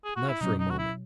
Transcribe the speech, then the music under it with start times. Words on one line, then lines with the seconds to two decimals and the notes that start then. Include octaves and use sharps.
Not for a moment!
0.04 G#4
0.16 F#4
0.28 E4
0.40 B2 F#3 C#4 D#4
0.59 D#4
0.70 F#4
0.78 E4